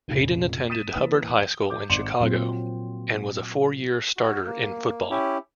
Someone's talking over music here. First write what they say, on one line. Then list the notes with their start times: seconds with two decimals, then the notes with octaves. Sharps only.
Hayden attended Hubbard High School in Chicago, and was a four-year starter in football.
0.08 F1 C#2 A#2 C#3
0.70 D#6 A6 B6 D#7 E7
0.94 E3 A#3 B4 D#6
1.39 G7
1.70 D6 G6
1.89 G#1 D5 C6 C#7 E7
2.21 A#2 F#3 C4 F4
4.17 F#4
4.46 A#3
5.11 C#4 E4 G4